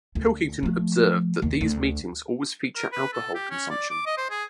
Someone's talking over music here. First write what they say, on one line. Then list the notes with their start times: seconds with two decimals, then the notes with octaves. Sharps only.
Pilkington observed that these meetings always features alcohol consumption.
0.15 D2
0.63 F3 A3
1.42 D#2 D#3
1.61 D2
2.76 A#4
2.92 B4
3.13 A4
3.35 G4
3.51 C#4
3.70 D5
3.90 D6
4.06 D#5
4.18 C5
4.30 G#4